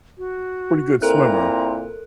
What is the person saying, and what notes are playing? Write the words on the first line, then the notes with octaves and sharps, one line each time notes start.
pretty good swimmer
F#4
A#2 C4 E4 A4 A#4 A#5 F#6